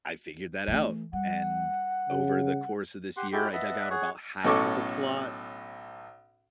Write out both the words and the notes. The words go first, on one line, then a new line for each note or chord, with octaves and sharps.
I figured that out. And over the course of this year, I dug out about half of the plot.
E3 A3
G3 F#5
C#3
G4 F#5 C6
G#3 E4 F#4 G4 A4 G5
B4 D#5 E5 F#5 A5 B5
G#4 C#5 F#5 C#6
B1 A2 C#4 A4 C#6 D6